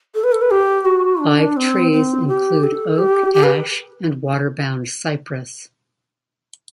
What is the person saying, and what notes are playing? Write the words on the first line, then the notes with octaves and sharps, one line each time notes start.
Live trees include oak, ash, and water-bound cypress.
A4
B4
A4
B4
G4
F#4
D4
C4
C4
G4
A4
G4
G4
B4